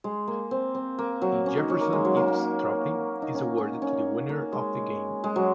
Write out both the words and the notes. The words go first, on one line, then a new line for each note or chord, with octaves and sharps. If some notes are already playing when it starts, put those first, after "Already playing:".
The Jefferson-Eppes Trophy is awarded to the winner of the game.
G#3
A#3
C4
C4
A#3
F#3
C#4
D#4
C#4
A#3
G#3
F#3
A#3
A#3
D#4
C#4
C#4
C#4
A#3
G#3
G#3
F#3